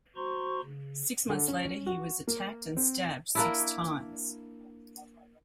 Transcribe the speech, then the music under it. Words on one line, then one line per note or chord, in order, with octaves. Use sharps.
Six months later, he was attacked and stabbed six times.
F#4 C5 A#5 C6 C#6
C#3
D3
C#4
F#4
A#3
C4
A#3 D4 E4